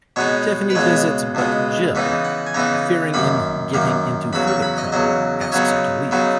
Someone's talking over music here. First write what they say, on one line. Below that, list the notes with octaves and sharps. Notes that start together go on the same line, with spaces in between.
Tiffany visits but Jill, fearing in getting into further trouble, asks her to leave.
B2 G#3 B3 D#4 C#5
B4
C#2 B2 G#3 B3 C#5
C#2 B2 G#3 B3
C#3 E3 B3 D#4
F#5
G#5
C#3 E3 B3 D#4 A#5
F#2 D#3 A#3 B5
F#2 D#3 A#3
E2 C#3 F#3 B5
C#6
B5
D#5
E2 C#3 F#3 D#5
D#5
C#3 F#3 B3 D#4 C#5
C#3 F#3 B3 D#4